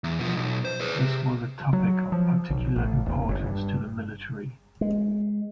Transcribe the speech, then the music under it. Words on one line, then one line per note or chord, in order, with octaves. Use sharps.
This was a topic of particular importance to the military.
E2
B2 F3
B1
C5
G#4 B4
C3
F#3
F3
B1
A1
D#1
G1
G2
G#3